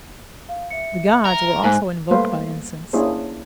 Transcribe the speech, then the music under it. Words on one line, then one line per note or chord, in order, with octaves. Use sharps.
The gods were also invoked by incense.
F5
E5 C#7
A#4
G#2 C5 G#5 F#6
G3 A3 A#3 B4 C5 F5
A#3 C#4 D4 E4 G#4 C5